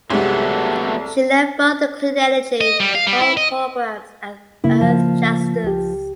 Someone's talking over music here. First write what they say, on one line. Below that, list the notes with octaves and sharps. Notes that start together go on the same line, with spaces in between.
She led both the clean energy and coal programs at Earthjustice.
C2 F#3 G#3 A3 B3 G4 A4
D#5
G3
F5
G3
E4
D#5
C#3 A#3 E4
F3
C#2 G4